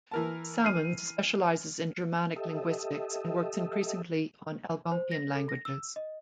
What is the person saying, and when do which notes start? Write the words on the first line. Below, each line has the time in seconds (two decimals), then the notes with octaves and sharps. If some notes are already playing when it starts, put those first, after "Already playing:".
Salmons specializes in Germanic linguistics and works increasingly on Algonquian languages.
0.11 E3 A#4 A5
0.64 F6 C7 D#7
2.36 G4 A4 D#5 E5
4.92 C5
5.11 A#6
5.35 A4
5.49 A#6
5.65 E6
5.96 D#5